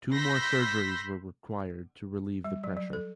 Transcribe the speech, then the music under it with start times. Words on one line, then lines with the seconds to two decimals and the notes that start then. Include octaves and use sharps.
Two more surgeries were required to relieve the pressure.
0.14 B5 C6 E6 G6 A#6 B6
2.44 G3
2.64 F#3
2.77 F#3
2.93 A4